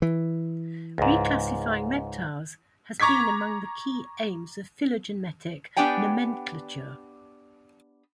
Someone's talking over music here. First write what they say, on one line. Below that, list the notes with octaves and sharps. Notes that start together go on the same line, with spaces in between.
Reclassifying reptiles has been among the key aims of phylogenetic nomenclature.
E3
C#2 G#2
A#5 C#6 D6 G#6 B6
B3 D4 G4 D5 G5 G#5